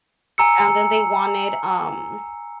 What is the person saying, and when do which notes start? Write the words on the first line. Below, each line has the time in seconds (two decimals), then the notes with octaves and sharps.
and then they wanted, um,
0.38 G#5 A#5 E6 C#7